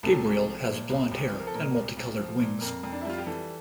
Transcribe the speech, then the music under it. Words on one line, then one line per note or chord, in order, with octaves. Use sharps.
Gabriel has blond hair and multicoloured wings.
C2 A4
C2
F3
A#2
C2
C2
F3
A#4
A4
A#2 A#4
C2
C2
F3
A#2
F2 A#4
F2
D4
E4
G3 F4
G4
E3 A4